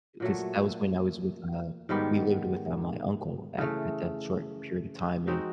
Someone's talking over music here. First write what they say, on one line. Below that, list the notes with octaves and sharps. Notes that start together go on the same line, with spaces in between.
'cause that was when I was with, uh we lived with, uh, my uncle at at that short period of time, and,
A#2 F#3 A3
G#2 D#3 G3 B3
C#3 E3 A3
G#3 C4 D#4 F#4